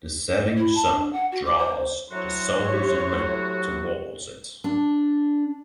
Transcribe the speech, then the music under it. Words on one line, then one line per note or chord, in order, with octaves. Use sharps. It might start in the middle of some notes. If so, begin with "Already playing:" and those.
The setting sun draws the souls of men towards it.
E4
A5
D4
F#5
F#4
D6
C5
A2 F#3 F#4 C5 C#5
G4
D4